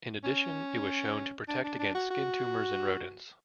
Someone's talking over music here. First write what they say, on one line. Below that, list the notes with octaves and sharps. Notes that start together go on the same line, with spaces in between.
In addition, it was shown to protect against skin tumors in rodents.
C#4
D4
D4
D4
F#4
F#4